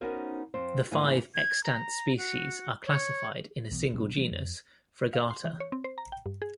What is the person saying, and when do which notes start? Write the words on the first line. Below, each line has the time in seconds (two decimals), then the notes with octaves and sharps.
The five extant species are classified in a single genus, Fregata.
0.01 B3 C#4 D#4 F#4 A#4 C5
0.54 F2 C4 C5
0.91 G#2 E3 A3 A#3 G#4 G#5
1.34 G#6
1.64 A#5
2.18 F#4
2.86 C#5
3.71 B1 E3 B3
3.93 D1 B2 F#3 D4
4.16 E3 F3 G3 A3
4.31 F2
5.13 F5
5.30 C6
5.45 E3
5.60 C#5
5.72 C4
5.84 C5
5.98 A#5
6.12 G5
6.26 G2
6.42 G#4